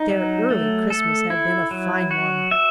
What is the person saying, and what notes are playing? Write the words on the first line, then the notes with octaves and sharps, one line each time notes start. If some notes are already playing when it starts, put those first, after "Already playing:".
Their early Christmas had been a fine one.
Already playing: D#4
F#3
A3
A4
E4
F#3
F#4
E5